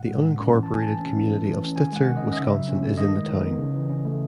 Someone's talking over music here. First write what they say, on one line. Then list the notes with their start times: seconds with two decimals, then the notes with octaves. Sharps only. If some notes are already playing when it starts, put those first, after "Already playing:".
The unincorporated community of Stitzer, Wisconsin is in the town.
Already playing: A2 F#5
0.09 G#3
0.24 A2
0.40 C#4
0.54 E3
0.63 A5
0.69 A3 G#5
0.83 E3 A5
1.00 C#4
1.16 E3
1.31 A3
1.46 E3
1.62 C#4
1.76 D#3 G#5
1.92 G#3 F#5
2.06 D#3
2.17 D#5
2.22 C#4
2.33 D#5
2.36 C#3 E5
2.53 F#3
2.68 C#4
2.83 A3
2.97 D#3 D#5
3.13 G#3
3.28 D#3
3.43 B3
3.58 C#3
3.73 E3
3.89 C#4
4.05 A3